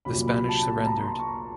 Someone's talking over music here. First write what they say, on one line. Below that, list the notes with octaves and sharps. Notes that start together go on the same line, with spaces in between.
The Spanish surrendered.
C2 A#2 F#3 B5
B5
A5
A5
A#5
C6
C#6